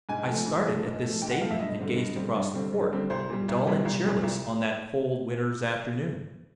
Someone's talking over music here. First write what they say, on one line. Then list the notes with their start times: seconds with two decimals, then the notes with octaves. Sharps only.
I started at this statement, and gazed across the court--dull and cheerless on that cold winter's afternoon.
0.09 G#2 G#5
0.28 F3 A3
0.46 G#2
0.66 F3 A3
0.85 G#2
1.03 F3 A3
1.22 G#2 G5
1.31 F#5
1.41 F3 A3 F5
1.51 E5
1.59 G2 D#5
1.78 D3 G3 C4
1.97 G2
2.16 D3 G3 C4
2.35 G2
2.54 D3 G3 C4
2.73 G2
2.91 D3 G3 C4
3.10 C2 C5
3.29 A#2 G3
3.49 C2
3.67 A#2 G3
3.85 C2
4.05 A#2 G3
4.23 C2